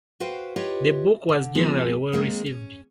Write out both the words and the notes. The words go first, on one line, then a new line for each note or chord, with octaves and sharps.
The book was generally well received.
F#4 B4 C5 F5 G5
E4 F4 G4 B4 C#5 D#5
D3
C3 F3 G#3 B3 G#4
D#3 G#3 A#3 C4
C#4